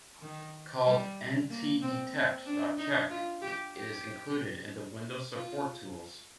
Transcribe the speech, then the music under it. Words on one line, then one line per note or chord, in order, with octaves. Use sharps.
Called ntdetect.chk, it is included in the Windows Support Tools.
D#3
G3
A#3
C4
C4
D4
D#4
F4
G4
G4
F4